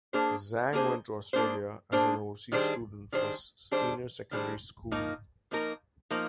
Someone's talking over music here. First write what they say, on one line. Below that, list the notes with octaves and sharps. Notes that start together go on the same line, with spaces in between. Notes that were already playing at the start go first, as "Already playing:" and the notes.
Zhang went to Australia as an overseas student for senior secondary school.
A#3 D4 G#4 C5
A#3 D4 G#4 C5
A#3 D4 G#4 C5
A#3 D4 G#4 C5
D#3 G3 D4 G#4 C5
D#3 G3 D4 G#4 C5
D#3 G3 D4 G#4 C5
D#3 G3 D4 G#4 C5
F3 A#3 D#4 A#4
F3 A#3 D#4 A#4
F3 A#3 D#4 A#4